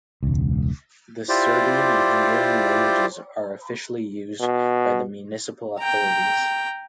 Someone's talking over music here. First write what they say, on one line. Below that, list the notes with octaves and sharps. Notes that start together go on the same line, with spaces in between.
The Serbian and Hungarian languages are officially used by the municipal authorities.
E1 C#2
E4 F4 G4 C5 D5
B2
G5 A#5